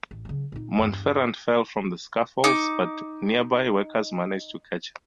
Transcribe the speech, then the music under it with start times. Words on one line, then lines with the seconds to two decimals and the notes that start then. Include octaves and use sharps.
Montferrand fell from the scaffolds, but nearby workers managed to catch him.
0.11 A1
0.25 C#3 F#3
0.52 A#2 D#4
0.79 E2 G2
2.44 D#4 D6